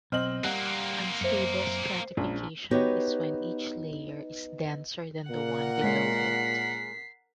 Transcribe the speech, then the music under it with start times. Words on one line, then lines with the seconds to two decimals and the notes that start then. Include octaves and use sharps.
Unstable stratification is when each layer is denser than the one below it.
0.12 B1 C4 D#5 F6 F#7
0.44 G3 A#3 C4 F#5 F#6
1.21 F#2 C5 E5 C#7
2.17 A#1 G#3 C#4 F4
2.71 B3 D#4 F#4 G4 B4 C#5
5.30 A#2 A#4 F#5
5.83 G#3 C#5 D#5 B6 C7